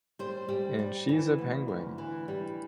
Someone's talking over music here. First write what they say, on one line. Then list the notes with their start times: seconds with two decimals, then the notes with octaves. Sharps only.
And she's a penguin!
0.19 G3 C5
0.49 G3
0.79 G3
1.09 E3
1.39 D2
1.68 D2
1.98 E3
2.28 G3